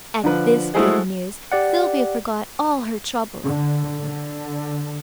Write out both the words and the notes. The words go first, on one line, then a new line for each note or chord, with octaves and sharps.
At this good news Sylvia forgot all her troubles.
D3 F3 B4
G#3 A3 E4 F#4 G#4 C5
G4 D5 F#5
D3
D3